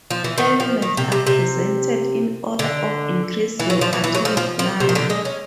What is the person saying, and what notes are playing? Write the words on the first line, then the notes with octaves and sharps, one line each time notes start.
Elements are presented in order of increasing atomic number.
F3
E3
D#3
F3
D#3
C3
C3
C3
D3
E3
F#3
F3
E3
E3
F#3
F3
F3
F3
C3
D#3
D3
G#3
C#4